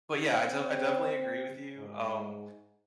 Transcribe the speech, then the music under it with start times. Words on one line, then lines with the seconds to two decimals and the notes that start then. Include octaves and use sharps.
But yeah, I de I definitely agree with you, um,
0.24 C4
1.78 G#2